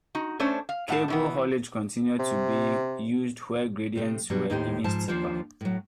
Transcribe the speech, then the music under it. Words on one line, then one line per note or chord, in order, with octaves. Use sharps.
Cable haulage continued to be used where gradients were even steeper.
D#4 F#4
A3 C#4 D4 C5 C#5
F5
A2 F#5 A5
B2 E3 B3
C3
C3 A3
B2 F#3 G3
D#2 A2 D#4 G4 B4 C5
G#2 F3 A5
D#2 F3 D4 F4 C5
A2 F#3